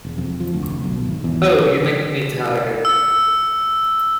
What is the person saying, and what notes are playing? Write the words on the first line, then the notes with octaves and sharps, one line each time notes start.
Oh, you make me tired.
E1
F2
F3
D2
F1
B1
G#1
E2
E3
E6